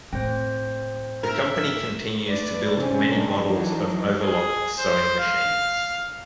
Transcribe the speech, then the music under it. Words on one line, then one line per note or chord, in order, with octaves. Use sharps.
The company continues to build many models of overlock sewing machines.
A2 C4 C5
A#4 E5
A3 B4 D5
C3 E3 C4 C#4
D#3 G3 D4
E3 F#3 D4 D#4
G#4
C5
F5